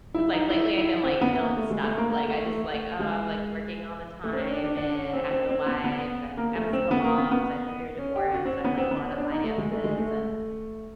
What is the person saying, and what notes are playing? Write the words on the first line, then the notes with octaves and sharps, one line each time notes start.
'Cause, like, lately, I've been, like, feeling stuck. Like, I just, "Oh, I'm, like, working all the time, and I have no life, and I'm a single mom, so I've been through a divorce. So I have, like, a lotta finances," and
E4
D#4
E4
E4
C4
B3
A#3
A3
G#3
A3
A#3
A#3
A3
A3
A3
G#3
A3
C4
C#4
D4
D4
D4
C#4
C4
C4
C4
B3
B3
A#3
A3
C4
B3
A#3
B3
B3
C#4
G4
F#4
C4
C#4
B3
C4
B3
C#4
D4
D#4
A3
G#3
A3
G#3
A3